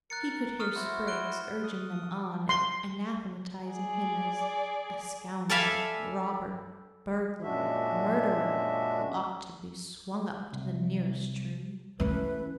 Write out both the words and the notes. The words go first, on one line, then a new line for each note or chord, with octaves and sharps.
He could hear Spriggs urging them on and anathematizing him as "a scoundrel, robber, burglar, murderer, who ought to be swung up to the nearest tree."
A#4 F#6 A6 C#7
C#6 D#6 F6
E4 F#4 C5
F#6 D7 G7
D#6
C6
G#4 D5
A4 D5 E5 F5 G#5 B5
F#2 A#2 G#3 D4 F#4 E5
C2
E3 A3 C#4 B4